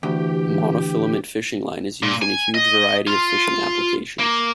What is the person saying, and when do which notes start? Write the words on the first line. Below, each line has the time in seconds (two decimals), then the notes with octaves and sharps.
Monofilament fishing line is used in a huge variety of fishing applications.
0.03 D2 E3 G4
2.03 A#2
2.22 G#5
2.54 D#5
3.07 F4
4.20 A#3